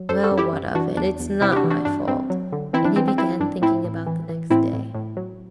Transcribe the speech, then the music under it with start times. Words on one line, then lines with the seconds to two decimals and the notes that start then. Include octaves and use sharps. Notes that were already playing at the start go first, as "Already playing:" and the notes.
"Well, what of it? It's not my fault." And he began thinking about the next day.
Already playing: F#3
0.09 F#2 A4 C5
0.24 F#4 A4
0.31 F#2
0.38 E4 G4
0.53 F#2
0.74 E3 D4 F#4
0.97 E2 D4
1.20 E2
1.41 C3 C4 E4
1.52 G4
1.56 D4 F#4
1.64 E3
1.70 D4 F#4
1.85 G2 D4
2.08 G2 C4
2.30 F#3
2.52 D3
2.73 E3 C4 E4
2.85 D4
2.96 E3 C4
3.08 C4
3.18 E3 C4 E4
3.40 G2 D4
3.62 A2 C4 E4
3.85 A2
4.07 E3
4.29 E3
4.50 A2 C4 E4
4.73 A2
4.95 A2
5.17 F#3